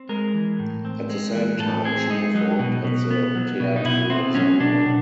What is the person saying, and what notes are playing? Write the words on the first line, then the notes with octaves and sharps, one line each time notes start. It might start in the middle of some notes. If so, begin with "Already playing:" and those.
At the same time she performed at the Teatro Zambra.
Already playing: C4
G#3 A#4
E3
A2
C4
G#3
E3
A2 A4
C4 G#4
G#3 D#4
F#3 D#4
B2
B2
B3
F#3
B2
D#4
B2 E4
B3 C4
F#3 C#4
B2 D4
B2